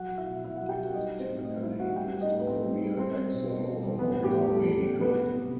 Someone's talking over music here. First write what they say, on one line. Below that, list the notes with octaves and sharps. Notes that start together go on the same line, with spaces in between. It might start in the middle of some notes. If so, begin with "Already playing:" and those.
It is typically used on the rear axle of a motor vehicle.
Already playing: F#3 F#4 F#5
F#3
E4 E5
B2
B2 E4 E5
F#4 F#5
F#3
G4 G5
F#3 F#4 F#5
G3 D#4 D#5
G3
C4 C5
A2
A2 D#4 D#5
G3 E4 E5
G3 F#4 F#5
G3 G4 G5
G3
D#4 D#5
A2
B4
A2 C4 C5
G3
G3
G3 C4 C5
G3
B2
B2
G3
G3
E3 B3 B4
A2
G4
A2
G3 A4
E3
A2
F#3 B3 B4
F#3
C3